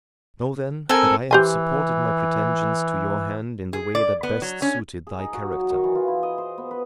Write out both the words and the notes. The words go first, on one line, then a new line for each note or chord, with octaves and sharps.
Know then, that I have supported my pretensions to your hand in the way that best suited thy character.
C4 A4 A#4 G#5
E3 G4 C5 G#5
G#4
D5
B3
F#3
C#4
G#4
D#4
F#4
F#3
D#3
E3
F4
E4
D#5
C5
B3
B4